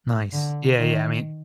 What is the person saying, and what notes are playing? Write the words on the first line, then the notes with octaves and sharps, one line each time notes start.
Nice. Yeah, yeah, I mean,
D3
D#3